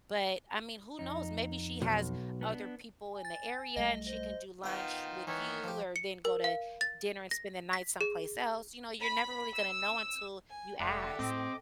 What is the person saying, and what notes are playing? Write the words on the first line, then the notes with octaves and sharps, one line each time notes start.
but I mean, who knows? Maybe she has other people in the area and she can do lunch with you, or then go to dinner and spend the night someplace else, you know, you're never really gonna know until you ask.
F2 D#4
B1
B3 D4
G#5
A6
B1 G3 A3 D#5
C5 D#5
D#3 B3 F4 G5
D#3 E3 B3 C#5
F3 G4
C#7
A#4
F5
A6
A#6
B6
G#4
B5
E6
G#5
F1 G4 A4 D5 E5 F#5
A2 C4 D#5 D6